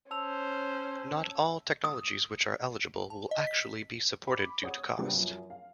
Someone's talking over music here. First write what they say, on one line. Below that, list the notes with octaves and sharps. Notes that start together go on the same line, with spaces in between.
Not all technologies which are eligible will actually be supported due to cost.
C#4 C5 A5 E6 F7
D#6
A5
D#5
B6
B5 D6
C#5 F#5 D#6
C3 F#3 G3 A#3 B3 D4
F#2 F3
F5